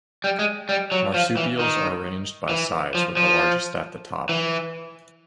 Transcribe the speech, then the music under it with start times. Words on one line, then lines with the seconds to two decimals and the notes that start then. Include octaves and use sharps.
Marsupials are arranged by size, with the largest at the top.
0.24 G3
0.39 G#3
0.69 G3
0.92 F#3
1.14 F3
1.37 E3
1.59 D#3
2.49 E3
2.95 F3
3.17 F3
4.29 E3